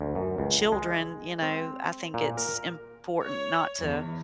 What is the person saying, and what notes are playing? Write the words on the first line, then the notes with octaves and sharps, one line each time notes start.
children, you know, I think it's important not to
D2
F#2
C#2
G#3
C4
A#2
A#4
C#5
E2